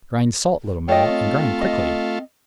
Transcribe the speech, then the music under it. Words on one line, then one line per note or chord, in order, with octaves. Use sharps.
"Grind salt, Little Mill, and grind quickly!"
A3 F4 C#5 D#5 G5
C4
D#5